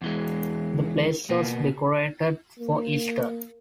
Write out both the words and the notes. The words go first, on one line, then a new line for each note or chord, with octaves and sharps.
The place was decorated for Easter.
E2 E3 G#3
B2 A#3 B3
A#3